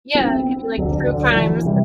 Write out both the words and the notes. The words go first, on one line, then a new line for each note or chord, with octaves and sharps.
Yeah, it could be like True Crimes,
B3
C4
D2 D3 F#3
D3
F#3
E3
C3 G3